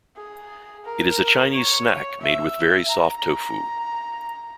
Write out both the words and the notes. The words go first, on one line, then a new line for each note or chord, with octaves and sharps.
It is a Chinese snack made with very soft tofu.
G#4
A#4
C#5
E5
A#5